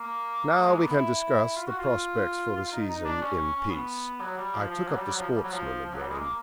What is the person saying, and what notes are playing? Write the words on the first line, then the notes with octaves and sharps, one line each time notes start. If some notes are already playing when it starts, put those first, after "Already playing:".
"Now we can discuss the prospects for the season in peace." I took up "The Sportsman" again.
Already playing: A#3
A3
G#3
A#3
B3
E4
F4
F#4
F4
F4
D#4
D#4
D4
C#4
C#4
B3
F#3
G3
F3
F3
F#3
G3
F#3
F3
G3
F#3
F3
F3
F#3
G3
G#3
A#3